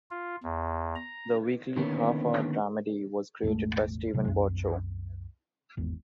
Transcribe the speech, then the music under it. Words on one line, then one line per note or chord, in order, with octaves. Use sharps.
The weekly, half-hour dramedy was created by Steven Bochco.
F4
E2
A#5
D3 D#3 A#3 B3 C#4
E1 A1 G#3 A3
A1 C3 F#3
C2 F#2
G#1 E2